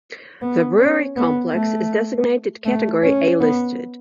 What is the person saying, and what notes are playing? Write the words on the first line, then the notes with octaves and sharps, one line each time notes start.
The brewery complex is designated Category A listed.
B3
C#4
B3
A3
A3
C#4
B3